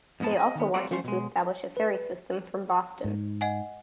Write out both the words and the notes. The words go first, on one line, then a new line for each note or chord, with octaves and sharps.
They also wanted to establish a ferry system from Boston.
F2 G#2 A#3 B3 A5
D#5
D#3 B3
G3 A3 C4 F4 F#4 D5
F3 A3 C#4 C5
B2 G#3
B4
G#2
D#5 F#5 G#5